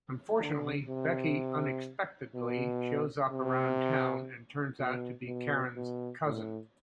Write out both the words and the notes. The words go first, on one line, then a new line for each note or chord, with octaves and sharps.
Unfortunately, Becky unexpectedly shows up around town and turns out to be Karen's cousin.
D3
C3
B2
C3
B2
B2
B2
A2